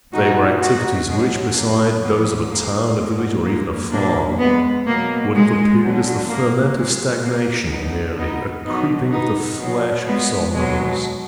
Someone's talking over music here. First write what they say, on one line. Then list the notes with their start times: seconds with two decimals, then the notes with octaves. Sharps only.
They were activities which, beside those of a town, a village, or even a farm, would have appeared as the ferment of stagnation merely, a creeping of the flesh of somnolence.
0.13 A#2 F3 D#4 F#4
0.60 D#4 F#4
1.07 B2 F#3 G#3
1.55 A#3
2.02 D3 F3 G#3 B3
2.50 A#3
2.97 B2 F#3 G#3
3.44 A#3
3.91 A#2 F#3 A#3 D4
4.39 G#3 B3
4.86 B2 F#3 A#3
5.34 G#3
5.80 D3 F#3
6.28 A#3
6.75 A#2 F#3 G#3
7.23 A#3
7.69 D3 F#3 B3 D#4
8.17 B3 D#4
8.64 B2 F#3 B3 D#4
9.12 B3 D#4
9.58 B2 F#3
10.06 G#3 B3
10.53 B2 F#3 G#3